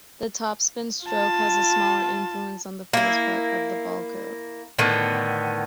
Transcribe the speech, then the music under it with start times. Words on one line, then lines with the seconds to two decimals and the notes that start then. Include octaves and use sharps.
The topspin stroke has a smaller influence on the first part of the ball-curve.
1.06 F4 A5
2.93 A#3 E4
4.78 A2 D3 D#3 B3